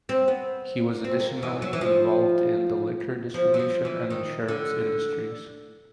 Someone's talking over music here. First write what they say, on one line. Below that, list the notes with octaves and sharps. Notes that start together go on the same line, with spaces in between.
He was additionally involved in the liquor distribution and insurance industries.
C4
B3
C4
A3
A#3
E3
F#3
E3
F3
F3
F#3
F3
E3
D#3
D3